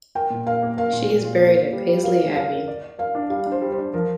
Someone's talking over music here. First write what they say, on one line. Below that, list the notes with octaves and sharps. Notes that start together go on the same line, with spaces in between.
She is buried at Paisley Abbey.
A#4 G5
A#2
A#4 F5
A#3
A#4 F5
A#2
A#2
F4
A#3
A#3
G3
G3
A#4 F5
G3
A#4 F5
A#4
D5
D5
A#4 F5
D4
G3 F5
D4
C5
G3
C5
D4
F3 A#4